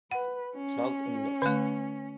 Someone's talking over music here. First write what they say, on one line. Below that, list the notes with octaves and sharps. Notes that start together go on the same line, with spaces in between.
Cloud and lost.
B4 F#5
C#4
D3 A3